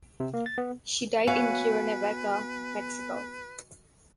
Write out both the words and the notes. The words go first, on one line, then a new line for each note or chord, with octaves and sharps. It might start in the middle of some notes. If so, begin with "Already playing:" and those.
She died in Cuernavaca, Mexico.
C3
A#3
A6
B3
B3 F#4 B4 C#5 F5 G#5 C#7